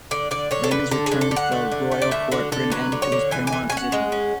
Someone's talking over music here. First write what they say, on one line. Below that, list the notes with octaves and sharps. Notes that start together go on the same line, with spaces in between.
Raymond's return to the royal court put an end to his paramount position.
D3 D5
D3 D5
D3 C#5
A4
D3 B4
D3 A4
G#4
D3
A4
D3
F#5
A3
D3
A3
D5
D3 E5
D3 F#4
D3 A4
F#3 B4
D3
C#5
D3
E3 G#5
G#5
E3
C#4 G#5
F#5
G#3
C#4